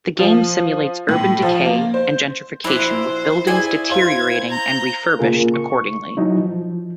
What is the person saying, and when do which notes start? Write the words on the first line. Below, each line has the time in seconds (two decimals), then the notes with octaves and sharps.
The game simulates urban decay and gentrification with buildings deteriorating and refurbished accordingly.
0.19 F3
1.09 A2
1.42 F3
1.65 A#3
1.94 C5
2.64 A#1 E4 F#4 C5 D5 E6 F7
3.47 E4 G#4 D5 G#5
3.90 C5 F5 C6 G#6
4.49 A#5 G6
5.19 C#3 A#3 F4 G#4 A#4
5.54 C#6
6.17 F#3 D#4 E4
6.40 F3